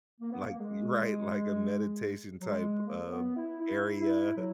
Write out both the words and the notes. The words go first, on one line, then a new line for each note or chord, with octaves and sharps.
like you Right, like a meditation type, um, area
A#3
B3
A#3
G#3
F#3
G#3
A#3
C#4
B3
E4
E4
E4
F#3